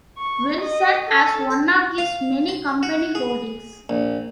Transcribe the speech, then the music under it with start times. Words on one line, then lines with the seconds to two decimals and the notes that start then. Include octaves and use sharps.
Wilson as one of his many company holdings.
0.18 C#6
0.61 D#5
1.08 A4
1.98 F5
2.48 C6
2.83 F#4
3.15 G#4
3.89 A#1